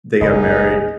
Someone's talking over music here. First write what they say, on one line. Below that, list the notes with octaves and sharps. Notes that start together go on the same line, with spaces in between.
they got married.
F#1 C#2 A#2 D#4 G#4 D#5